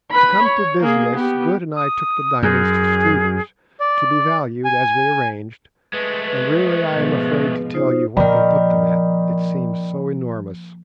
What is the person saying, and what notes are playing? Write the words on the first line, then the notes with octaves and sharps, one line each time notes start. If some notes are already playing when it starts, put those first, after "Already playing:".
To come to business, Good and I took the diamonds to Streeter's to be valued, as we arranged, and really I am afraid to tell you what they put them at, it seems so enormous.
B4 B5
C#5
A#3 G#4
B3 G4
D#6
F#2 G#4
D5
G#5
G#3 A3 B4
B4
G#2 B2 F3
D#4 F4 C5
A#2 D#3 F3 A#4 D5 G5 B5